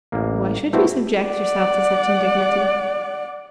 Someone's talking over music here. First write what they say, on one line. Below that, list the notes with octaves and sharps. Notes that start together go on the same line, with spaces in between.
"Why should you subject yourself to such indignity?"
A1 A#3
G3 A3 B3 C4 E4 F#4
D5 F#5